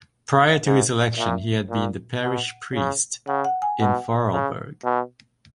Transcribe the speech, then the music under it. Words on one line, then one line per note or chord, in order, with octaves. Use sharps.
Prior to his election he had been the parish priest in Vorarlberg.
G#2
A#2 E5
A#2
B2 F#5
C#3
C#3 F#5
F#5
G#5
B2 F#5
C#3
B2